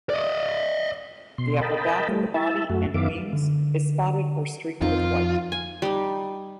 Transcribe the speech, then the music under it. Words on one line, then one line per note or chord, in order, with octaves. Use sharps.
The upper back of the body and wings is spotted or streaked with white.
D5 D#5
B2 C6
A#4 D#5 G5 A5 B5
G3 A3
E4 E5 A5
F#2 A3 F#4
F#2 D#3 B3 E5 F5 D6
D3
F2 D#3 F3 C4 D#4 F4
G#5
G3 D#4